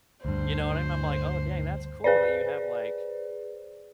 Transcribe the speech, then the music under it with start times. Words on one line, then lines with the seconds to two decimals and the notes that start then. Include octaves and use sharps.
you know what I mean? I'm like, "Oh, dang, that's cool that you have, like"
0.25 D2 G2 C5
2.04 G#4 B4 C5 D5